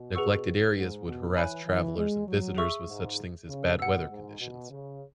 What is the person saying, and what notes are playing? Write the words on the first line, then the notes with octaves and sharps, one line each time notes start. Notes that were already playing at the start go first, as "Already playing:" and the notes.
Neglected areas would harass travelers and visitors with such things as bad weather conditions.
Already playing: B2
G#4 B4 F#5 C#6 E6
G#2
B2
E3 C#5 G#5 B5 F#6
E3
G#3
F#3
G#4 E5 C#6 E6
G#2
C#3
B2 F#5 E6
G#2
B2
C#3